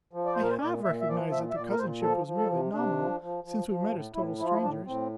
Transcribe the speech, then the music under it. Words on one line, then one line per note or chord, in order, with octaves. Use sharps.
I HAVE recognized that the cousinship was merely nominal, since we met as total strangers.
F3
D5
A#2 C5
A#4
C5
A#2 D5
A#2 E5
E5
F3 D5
A#2 E5
E5
A#2 D5
A#4
A#2 C5
F3 A4
F3
A4
C3
C3 D4
F3
F3
F3
F3
A2
A2 E4
F3 E4
F4
E4
A2 D4
A2 C4